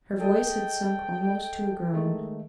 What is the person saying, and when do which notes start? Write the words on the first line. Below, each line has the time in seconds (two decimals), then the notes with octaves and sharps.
Her voice had sunk almost to a groan.
0.19 G#4 A4 D#5 G5
1.93 D#3 G#3 A3